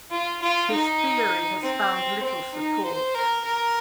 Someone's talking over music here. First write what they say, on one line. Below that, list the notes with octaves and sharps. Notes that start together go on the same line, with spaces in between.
His theory has found little support.
F4
F4
D#4
C4
C4
D#4
C5
A#4
A#4